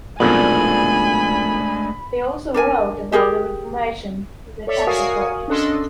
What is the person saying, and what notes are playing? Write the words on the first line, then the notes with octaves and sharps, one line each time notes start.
They also wrote about the reformation of tanka poetry.
B1 F2 A#2 G#3 A3 D4 G#5 B5
D4 A#4 G#5
G4 G#4 A#4
A4 C#5 D5 E5
F#4 A#4 F5 G#5 C#6 D#6
C#4 D4 A4 D#5 C6